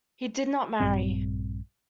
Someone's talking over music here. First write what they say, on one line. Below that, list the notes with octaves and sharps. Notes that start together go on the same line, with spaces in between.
He did not marry.
A#1 G2 G3 C4